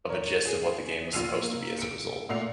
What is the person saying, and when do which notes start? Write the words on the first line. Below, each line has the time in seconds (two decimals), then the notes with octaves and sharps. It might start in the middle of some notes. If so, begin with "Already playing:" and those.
of a gist of what the game was supposed to be as a result.
0.09 A#4 C#5
0.45 G#4
1.13 A#1 F4 E6 C7 D#7 F7
1.41 A#3
1.79 C#7 D7
2.29 A#2 A3 F#5 C7 F7